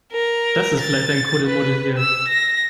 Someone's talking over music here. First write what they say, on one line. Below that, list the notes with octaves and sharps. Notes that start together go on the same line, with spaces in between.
Das ist vielleicht ein Kuddelmuddel hier.
A#4
A6
B4
E6
A#6